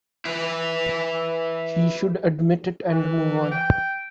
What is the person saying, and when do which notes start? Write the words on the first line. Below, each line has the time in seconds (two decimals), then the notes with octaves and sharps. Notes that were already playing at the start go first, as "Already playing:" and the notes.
He should admit it and move on.
0.25 E4 B4
2.89 E3
3.51 G5